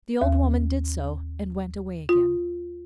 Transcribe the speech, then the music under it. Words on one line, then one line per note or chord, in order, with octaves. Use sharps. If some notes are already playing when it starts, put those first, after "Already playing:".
The old woman did so and went away again.
D#2
F4